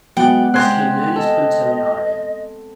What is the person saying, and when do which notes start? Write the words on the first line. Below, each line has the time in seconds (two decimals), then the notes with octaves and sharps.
This came to be known as "punto in aria".
0.17 F#3 G#3 B3 D5 F#5 G5
0.54 G#3 C4 G4 C5 C6 F#6 G#6
1.16 A4 D#5